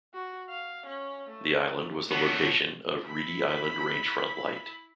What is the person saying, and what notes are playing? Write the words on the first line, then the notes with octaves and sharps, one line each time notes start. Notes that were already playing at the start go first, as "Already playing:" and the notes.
The island was the location of Reedy Island Range Front Light.
F#4
F5
C#4
A3
D3 B3 C#5
E4 B5